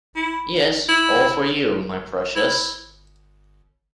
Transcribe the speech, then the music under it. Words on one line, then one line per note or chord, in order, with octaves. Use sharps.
Yes; all for you, my precious!
E4
E4
E4